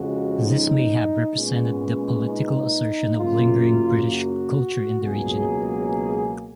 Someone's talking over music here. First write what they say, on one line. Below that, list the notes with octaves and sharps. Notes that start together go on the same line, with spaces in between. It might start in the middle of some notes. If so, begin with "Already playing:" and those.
This may have represented the political assertion of lingering British culture in the region.
Already playing: F2 C#3 G#3 F#4
D#4
A#2 G#3 B3 C#4
D#4
F#2 C#3 F#3 A#3 F4
F#4
C#2 B2 F#3 A#3 G#4